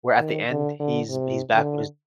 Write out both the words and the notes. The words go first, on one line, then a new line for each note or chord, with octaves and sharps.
where at the end, he's he's back with his
D#3
D3
D3
C3
D3